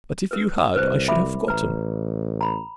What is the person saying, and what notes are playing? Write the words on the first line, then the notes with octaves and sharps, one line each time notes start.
But if you had I should have forgotten.
A#4 B4
C2 B4 C5
E5 B5 D6
A1 B4 A#5
A#5 B5